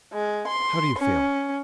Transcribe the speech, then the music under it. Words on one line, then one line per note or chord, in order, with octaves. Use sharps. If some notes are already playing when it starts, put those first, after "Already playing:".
"How do you feel?"
G#3
C6
C#4